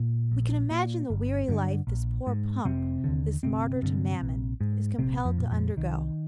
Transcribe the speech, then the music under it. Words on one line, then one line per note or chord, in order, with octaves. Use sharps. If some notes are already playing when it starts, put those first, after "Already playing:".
We can imagine the weary life this poor Pump, this martyr to Mammon, is compelled to undergo.
Already playing: A#2 A#3
A#1
A#2
G1
G2 D3
A#1
G#2
F1 C3 C4
D#2 D3
G1 C3 C4
G2 D3
A#1
G#2
A#1 C3 C4
F2 F3
A#2
F2 F3
C2 D#3